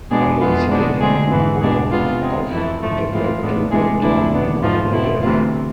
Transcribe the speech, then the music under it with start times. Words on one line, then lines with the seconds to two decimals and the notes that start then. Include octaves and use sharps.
I don't say, uh oh, I've get back to that damn novel again.
0.10 B2 G#3 B3 D4 G#4
0.40 F2 E3 B3 F4
0.70 B2 G#3 B3 D4
1.00 D2 D3 G#3 A3 C4 G#4
1.31 G#2 E3 B3
1.60 E2 B2 G#3 B3 D4 G#4
1.90 C3 G#3 B3 F4
2.20 C3 G#3 C4
2.50 F2 E3 A3 E4
2.82 G#2 F3 A3
3.12 A2 E3 G#3 C4 F4
3.41 A2 G#3 B3 D4
3.71 C3 E3 G#3 A3 D4 G#4
4.01 D2 C3 F3 A3 D4 E4
4.31 B2 B3 D4
4.62 G#2 F3 A3 F4
4.92 B2 A3 C4 E4
5.22 D2 C3 E3 F4